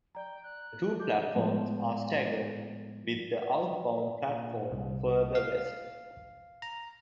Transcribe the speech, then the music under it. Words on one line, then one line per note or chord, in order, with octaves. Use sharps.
The two platforms are staggered, with the outbound platform further west.
D5 G5 A#5
F#6
G4 A4 D6 G6
A2 F3 G#3 B3
A#2
C2
F5
A#5